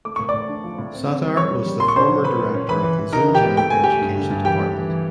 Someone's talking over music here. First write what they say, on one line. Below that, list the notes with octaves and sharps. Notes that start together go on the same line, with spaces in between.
Sattar was the former director of the Xinjiang Education Department.
A3 D6
A2 C#6
A2 D5 D6
D4
F3
A2
C4
C4
G3
G3 C#5 C#6
G3
G3
A#2 C6
C#6
C#4 C5 C6
F#3
F#3 B4 B5
A#2
C#4
E3 B4 B5
E3
E3
D#4 A#4 A#5
E3
G4 G5
B3
A3 G5
A3 G#5
A3 G4 G5
G2
D3
G2
E3 G4 G5
A3
E3
E3